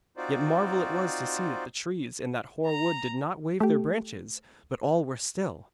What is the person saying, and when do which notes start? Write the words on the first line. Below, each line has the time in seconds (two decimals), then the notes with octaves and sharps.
Yet marvel it was to see that the trees in that hoar wood did not wave their branches, but all were still.
0.17 C4 D#4 F4 F#4 C5 D5
2.65 A#5
3.60 A3 G4